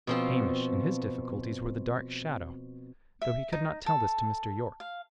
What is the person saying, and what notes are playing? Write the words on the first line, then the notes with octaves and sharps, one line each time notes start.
Hamish and his difficulties were the dark shadow; though he could not tell this to Mr. Yorke.
B2 F3 C4
E5
D#4
A4
F5